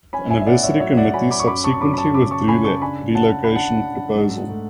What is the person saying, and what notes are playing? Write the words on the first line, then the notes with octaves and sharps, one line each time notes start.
The anniversary committee subsequently withdrew their relocation proposal.
C#4 G#5 B5
E5 G#5
E5
A2 D5 F#5
C#5 E5
F#3 C#5 E5
D5 F#5
F#3 G#5 B5
B5 D6
C#6
F#2 B5 D6
A5 C#6
C#6
F#2 B5 D6
B5
A5 C#6
C#3 B5 D6
A5 C#6
C#3 G#5 B5
A5 C#6
D4 G#5 B5
C#3 F#5 A5
A5
D4 B5
F#5 A5
D4
G#2
A3